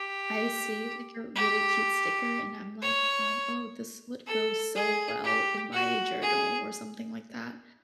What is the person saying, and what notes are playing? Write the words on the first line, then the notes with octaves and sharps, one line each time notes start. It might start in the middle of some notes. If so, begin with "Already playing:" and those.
I see, like, a really cute sticker, and I'm like, um "Oh, this would go so well in my journal or something like that.
Already playing: G4
G4
C#5
A4
G#4
G4
F#4
G#4